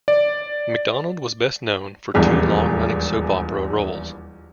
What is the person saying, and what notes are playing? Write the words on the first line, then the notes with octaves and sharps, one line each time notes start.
McDonald was best-known for two long-running soap opera roles.
D5
D#1 A#1 E2 G#3